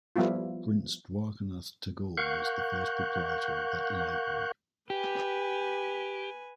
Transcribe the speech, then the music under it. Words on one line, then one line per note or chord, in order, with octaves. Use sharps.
Prince Dwarkanath Tagore was the first proprietor of that Library.
F3 G3 B3 E4 F4
A#4 F5 F#5 C#6 F#6 G6
G4 B4 G#5